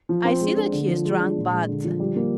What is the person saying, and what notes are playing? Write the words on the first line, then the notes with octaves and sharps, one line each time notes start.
"I see that he is drunk, but...."
F3
C4
G#3
D4
D3
F3
G#3
D4
A#2
G#3
D3
F3
G3
A#3